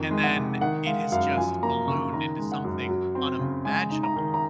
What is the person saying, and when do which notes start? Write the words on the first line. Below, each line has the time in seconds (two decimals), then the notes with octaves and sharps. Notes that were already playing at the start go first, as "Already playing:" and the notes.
and then, it has just ballooned into something unimaginable,
Already playing: F2 D#3
0.11 G#3
0.24 F#5
0.36 C3
0.61 D#3 F#5
0.86 G#3 F5
1.12 F#2 F5
1.37 F3 G#5
1.63 A#3 A#5
1.87 C#3 C#6
2.13 D#3 A#5
2.39 G#3
2.52 F#5
2.64 F#2
2.89 F#3
3.15 C4
3.39 C#3
3.65 G#3 G#5
3.90 D#4
4.03 A#5
4.16 D#3
4.34 A#5